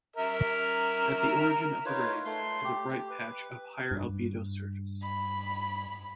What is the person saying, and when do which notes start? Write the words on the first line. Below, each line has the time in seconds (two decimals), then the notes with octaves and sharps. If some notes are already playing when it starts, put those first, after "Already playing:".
At the origin of the rays is a bright patch of higher-albedo surface.
0.16 A#4 E5
1.86 D#4 F4 B4 C#5
2.25 A3 C6
2.64 G4
3.10 B4
3.91 G2
5.01 B5